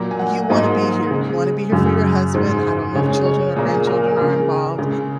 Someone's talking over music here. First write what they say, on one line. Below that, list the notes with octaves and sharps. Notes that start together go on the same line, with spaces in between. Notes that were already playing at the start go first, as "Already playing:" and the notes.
you wanna be here. You wanna be here for your husband, I don't know if children or grandchildren are involved,
Already playing: A#2 F#3 A#3
G#5
F#5
G#2 F#3 A#3 D#5
C#3 G#3
F#2 C#3 F#3
G#2 G#3
C#3 G#3 C#5
C#5
A#2 A#3 G#4
A#4
G#4
C#3 G#3 A#4
C#3 G#3